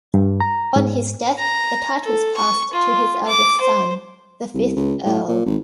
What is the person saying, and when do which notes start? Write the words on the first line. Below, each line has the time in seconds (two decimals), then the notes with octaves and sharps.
On his death the titles passed to his eldest son, the fifth Earl.
0.14 G2
0.40 A#5
0.76 G#2
1.38 A#5
2.03 A4
2.36 C#6
2.73 F4
3.27 D6
3.61 C5
4.54 C2
4.76 C#2
5.06 A2
5.28 A#2
5.46 G#1